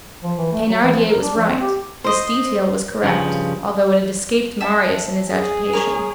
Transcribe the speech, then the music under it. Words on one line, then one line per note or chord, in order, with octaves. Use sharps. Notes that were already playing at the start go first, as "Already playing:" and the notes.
Thenardier was right, this detail was correct, although it had escaped Marius in his agitation.
F3
E3
A3
F#3
E3
F3
A#4
D4
F3
C4
G4
C5 D#5
G2 C#3 E3 F3
E5 G5 A5
G#4
A#4 C#5